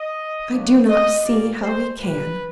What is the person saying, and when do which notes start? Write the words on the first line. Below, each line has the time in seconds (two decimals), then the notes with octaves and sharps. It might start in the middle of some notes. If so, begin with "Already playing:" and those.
I do not see how he can.
Already playing: D#5
0.50 C#3 F#3 B3 D4
0.88 D#5
1.24 A#2 G3 A#3 D5
1.61 C5
1.98 A#2 G3 A#3 B4